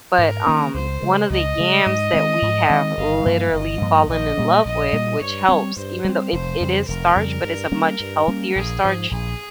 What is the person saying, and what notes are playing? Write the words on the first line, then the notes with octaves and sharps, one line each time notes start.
but, um, one of the yams that we have literally fallen in love with which helps even though it it is starch, but it's a much healthier starch,
G#2 A#4
D#3 A#3 C#4
C#2 C5
C#3 G#3
C#2 D#5
C#3 G#3
G#2
D#3 G#3 C4
G#2
D#3 G#3 C4
G1 F5
G2 F3 A#3
G1 D#5
G2 F3 A#3
A#1 D#5
A#2 G3 A#3
A#1 D#5
A#2 G3 A#3
G2 C#5
G3 C4
G2 C5
G3 C4
F1 C5
F2 C#3 G3
F1 A#4
F2 C#3 G3
G2
G3 A#3 C#4
G2
G3 A#3 C#4
A#1 G#4
G#2 F3
A#1 G#4